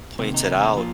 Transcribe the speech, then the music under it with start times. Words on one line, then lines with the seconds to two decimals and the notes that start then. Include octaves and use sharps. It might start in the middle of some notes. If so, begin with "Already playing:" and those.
points it out,
0.19 C3 D#3 A#3 C4
0.34 D#4
0.77 F3 A#3 F4